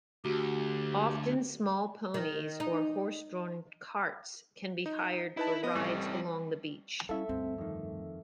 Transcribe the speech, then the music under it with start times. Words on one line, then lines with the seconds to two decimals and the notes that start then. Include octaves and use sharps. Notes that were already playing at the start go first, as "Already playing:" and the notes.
Often small ponies or horse-drawn carts can be hired for rides along the beach.
0.25 D2 F#4 G4
2.14 D#3
2.60 D#4
4.86 D#4
5.37 D#4 E4 B4 A5
5.64 B3 D#5
5.75 A1 A2 G3 C4 C#6
7.09 G3 C#4 E4 A4 E5 F5
7.29 D2 G2 C4
7.58 F2 D#3